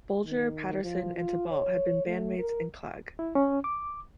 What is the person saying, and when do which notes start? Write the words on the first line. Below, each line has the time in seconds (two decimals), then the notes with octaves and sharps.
Bolger, Patterson and Thibault had been band mates in Clag.
0.24 D#3
0.83 F3
1.15 F4
1.51 C#5
2.06 A3
2.38 A#4
3.19 E4
3.35 C#4
3.64 D6